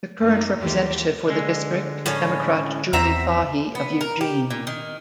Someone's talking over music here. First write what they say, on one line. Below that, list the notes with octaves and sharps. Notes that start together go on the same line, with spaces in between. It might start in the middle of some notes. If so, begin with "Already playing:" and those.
The current representative for the district is Democrat Julie Fahey of Eugene.
F#2 A#3 D#4
D#2 E3 A3 A#3 F4 G4
D3 G#3
A2 C#4 C#5
E2 C4 E5 A#5
B3
A#4
G4
A#2
D#3